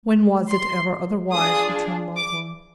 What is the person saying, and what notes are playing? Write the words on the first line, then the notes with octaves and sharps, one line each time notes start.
"When was it ever otherwise?" returned Magua.
C6
D4 F4 G#4 D#6
D6